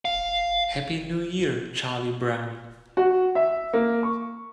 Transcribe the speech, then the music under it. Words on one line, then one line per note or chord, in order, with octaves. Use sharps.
Happy New Year, Charlie Brown!
F5
F#4
E5
A#3
C#6